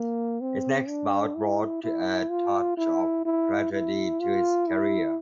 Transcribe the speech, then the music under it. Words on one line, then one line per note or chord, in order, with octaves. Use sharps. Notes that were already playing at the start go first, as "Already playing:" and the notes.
His next bout brought a touch of tragedy to his career.
Already playing: A#3
C4
D4
E4
E4
F4
E4
E4
E4
F4
E4